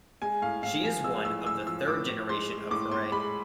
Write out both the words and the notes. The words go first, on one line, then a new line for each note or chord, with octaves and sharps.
She is one of the third generation of Horae.
G#3 G#5
A2 F5
A2 F5
F3 G#5
G#3 E6
A2 E6
A2 E6
F3 E6
A2 D6
A2
G#3 C6
G#3
A2 D6
A2 C6
G#3 B5